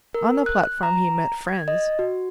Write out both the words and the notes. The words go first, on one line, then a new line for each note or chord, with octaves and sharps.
On the platform he met friends.
A#4
F#6
A#5
G#6
D#5
F#4